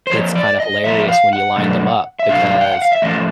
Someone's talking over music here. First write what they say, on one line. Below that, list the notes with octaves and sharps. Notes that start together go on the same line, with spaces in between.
it's kinda hilarious when you line them up because
C5
A#2 F3 C#5
D5
D#5
A#2 F3 E5
F5
F#5
B2 F#3 A3 D4
E5
B2 F#3 A3 D4 F5
G5
F#5
F5
E5
A2 F3 A3 C#4 D#5